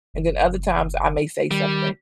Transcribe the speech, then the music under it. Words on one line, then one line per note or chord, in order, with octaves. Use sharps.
and then other times, I may say something
F#1
D#3 G3